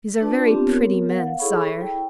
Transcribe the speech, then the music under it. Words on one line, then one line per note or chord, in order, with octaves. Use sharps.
These are very pretty men, Sire.
D4 F4 B4 D5 A5
B3 C4 D4 F4 G4
B3 A#4 C#5
F5 F#5
E4 G#4 A4 C#5 B5 C#6
E4 G5 A5